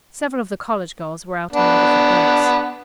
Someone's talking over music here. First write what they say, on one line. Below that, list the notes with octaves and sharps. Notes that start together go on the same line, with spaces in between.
Several of the college girls were out in their different boats.
B3 D4 F#5